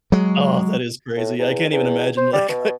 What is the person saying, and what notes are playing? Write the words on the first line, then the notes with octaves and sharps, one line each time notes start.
Oh, that is crazy. I can't even imagine like,
F#3 G#3
A2
E2
E2
C5
G3
B2